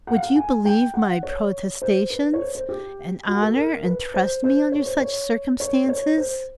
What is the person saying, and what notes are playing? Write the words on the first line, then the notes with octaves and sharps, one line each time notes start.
Would you believe my protestations, and honour and trust me under such circumstances?'
F#5
F5
F#5
G#5
G5
F#5
C#5
C5
B4
C#5
C5
C5
G4
F#4
A4
A#4
B4
C5
C5
C#5
C5
C#5
C#5
C5
C#5
C5